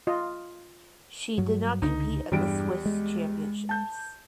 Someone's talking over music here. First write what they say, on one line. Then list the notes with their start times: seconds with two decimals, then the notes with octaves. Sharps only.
She did not compete at the Swiss Championships.
0.07 F4 D#5
1.38 G2 F#3
1.82 C#2 D3 D#4
2.32 E2 G2 G3 D7
2.86 G#3
3.69 A5 G6